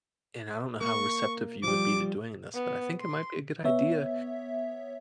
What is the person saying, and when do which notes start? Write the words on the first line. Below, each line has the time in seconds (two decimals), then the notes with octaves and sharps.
and I don't know how receptive you would be to doing this, but I think it might be a good idea
0.81 A#3 C#6
1.63 F3 G3 D6
2.54 B3
3.00 C6
3.65 B3 C#5 E5